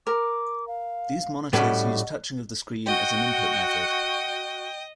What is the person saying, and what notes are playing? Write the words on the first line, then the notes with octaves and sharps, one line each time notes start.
These monitors use touching of the screen as an input method.
A#4 D6
F5
A2 G3 A3 C#4 F#4 D5 D#5
F#4 D#5 G5